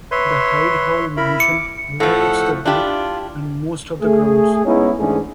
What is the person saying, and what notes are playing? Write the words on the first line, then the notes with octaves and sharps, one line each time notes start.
The Hyde Hall mansion overlooks the bay and most of the grounds.
B4 C#5 E5 C6
E4 A#4 B5
D6 C#7
A2 F3 A4 F#5
D4 E4 F4 G4
A3 G#4
G#3 B3 C#4 D#4 E4
G#2 E3 A3 C#4 D4 G#4